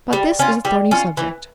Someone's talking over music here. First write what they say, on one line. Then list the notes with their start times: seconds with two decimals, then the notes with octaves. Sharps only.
But this is a thorny subject.
0.13 G3
0.39 C#4 F4
0.65 G3
0.91 C#4 F4
1.17 E3